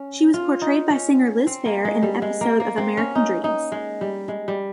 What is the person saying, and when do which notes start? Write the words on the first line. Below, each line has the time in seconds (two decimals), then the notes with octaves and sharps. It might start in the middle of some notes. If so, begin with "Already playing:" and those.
She was portrayed by singer Liz Phair in an episode of "American Dreams".
Already playing: C#4
0.34 F4
0.62 D#4
0.90 C#4
1.47 C4
1.66 A#3
1.85 G#3
2.02 G3
2.22 G#3
2.41 A#3
2.60 A#3
2.78 C4
2.97 C#4
3.15 D#4
3.44 D#4
3.72 G#3
4.01 G3
4.28 G#3
4.48 G3